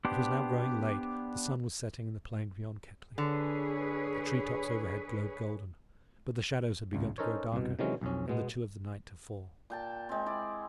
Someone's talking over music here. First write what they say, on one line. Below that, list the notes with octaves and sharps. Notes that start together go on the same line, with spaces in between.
It was now growing late; the sun was setting in the plain beyond Kettley; the tree-tops overhead glowed golden; but the shadows had begun to grow darker and the chill of the night to fall.
B3 D4 G4 C5
D3 G#4 B4 C#5
G#1 C#2
C#4 D#4 A4 A#4 C5 C#5
C2 B2
C3 D#3 E3 F#3 G#3 C#4
B1 F2 C#4
B2 G#3 B3
A#2 G5 A5
G#3 C4
E4 D5